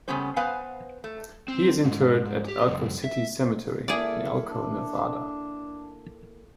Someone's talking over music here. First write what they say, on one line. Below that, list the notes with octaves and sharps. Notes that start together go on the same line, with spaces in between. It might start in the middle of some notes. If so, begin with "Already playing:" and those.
He is interred at Elko City Cemetery in Elko, Nevada.
C#3 G3 A3 B3 C#4 C5
B3 B4 C5 F5 F#5 G#5
A3
C4
G#2
G4
C#2 F#2
E5
A#3 E4 G#4 A4 D5
D4